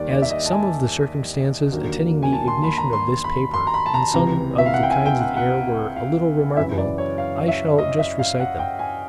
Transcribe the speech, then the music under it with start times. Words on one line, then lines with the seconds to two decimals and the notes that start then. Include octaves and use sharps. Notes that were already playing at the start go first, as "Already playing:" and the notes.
As some of the circumstances attending the ignition of this paper in some of the kinds of air were a little remarkable, I shall just recite them.
Already playing: D#2 D#3 G3 D5
0.11 D5
0.22 E5
0.30 D#5
0.46 A5
0.51 G#5
1.72 D#2 D3 F#3 A#3
2.23 G#5
2.33 A5
2.48 C6
2.63 B5
2.78 A#5
2.93 C6
3.24 B5
3.54 C6
3.67 A#5
3.74 B5
3.86 A5
3.94 A#5
4.14 C#2 C3 E3 A#5
4.58 E5
4.66 F5
4.74 F#5
4.83 G5
4.90 G#5
5.06 G5
5.20 F#5
5.37 F#5
5.96 F5
6.57 F#2 C#3 E3 E5
6.78 D5
6.98 C#5
7.18 F5
7.37 F5
7.48 E5
7.78 D#5
7.99 E5
8.19 F5
8.40 F#5
8.59 G5
8.79 G#5